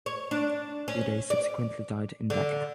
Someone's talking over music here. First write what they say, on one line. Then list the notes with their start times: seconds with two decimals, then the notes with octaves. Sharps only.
Udai subsequently died in Dhaka.
0.06 C#5
0.31 D4
0.88 C#4
1.30 D5
2.30 D3